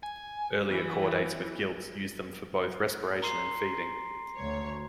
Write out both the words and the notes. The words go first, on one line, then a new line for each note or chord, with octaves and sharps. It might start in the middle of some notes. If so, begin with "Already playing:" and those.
Earlier chordates with gills used them for both respiration and feeding.
G#5
E3
A#5 C6 C7
D2 C#5